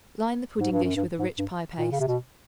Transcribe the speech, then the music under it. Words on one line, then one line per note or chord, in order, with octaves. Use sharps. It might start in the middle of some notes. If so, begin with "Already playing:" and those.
Line the pudding-dish with a rich pie-paste.
G#2
G2
F#2
G2
G#2
G2
A#2
C#3
C3
B2